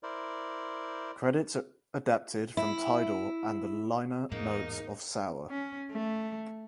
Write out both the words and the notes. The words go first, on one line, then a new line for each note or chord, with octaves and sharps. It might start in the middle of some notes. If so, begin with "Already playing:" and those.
Credits adapted from Tidal and the liner notes of "Sour".
E4 A#4 C5 D5
E4
E2 G#2 A#3 D#4
C#4
A3